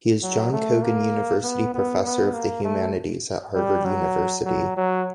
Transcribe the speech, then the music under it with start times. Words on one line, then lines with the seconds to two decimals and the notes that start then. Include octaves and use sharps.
He is John Cogan University Professor of the Humanities at Harvard University.
0.23 F#3
0.53 A3
0.83 A#3
1.43 B3
1.74 B3
2.04 B3
2.34 A#3
2.64 A3
3.55 G3
3.85 F#3
4.45 F#3
4.77 F#3